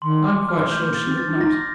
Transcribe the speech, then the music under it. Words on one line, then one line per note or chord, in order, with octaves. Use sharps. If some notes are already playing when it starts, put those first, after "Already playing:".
I am quite sure she would not.
D#3 C6
D6
F6
A3 G6
A#3
A6
C4
A6
D4
F4
D#4 A#6